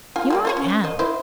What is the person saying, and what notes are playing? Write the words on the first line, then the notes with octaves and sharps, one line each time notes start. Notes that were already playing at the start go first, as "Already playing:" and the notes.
Here I am.'
F4 G#5
G3 A#3 D5
F4 C5 C#5
C#4
C5 D#5
E4 B4 C5